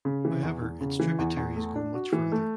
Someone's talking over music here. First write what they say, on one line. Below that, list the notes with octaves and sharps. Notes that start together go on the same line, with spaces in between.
However its tributaries go much further.
C#3
E3
E2
E2
C#3
E3
E2
E2
A3
D4
F#4
E3
A3